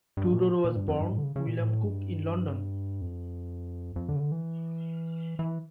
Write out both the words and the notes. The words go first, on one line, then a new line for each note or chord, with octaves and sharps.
Tudor was born William Cook in London.
G2
A#2
A#2
G2
F2
G2
A2
D3
C#3
C#3
A#2
A2
G2
F2
F2
D3
C#3
D3
E3
E3